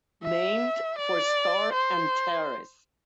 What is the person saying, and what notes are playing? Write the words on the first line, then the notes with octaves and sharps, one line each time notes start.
Named for star Antares.
E5
D5
C5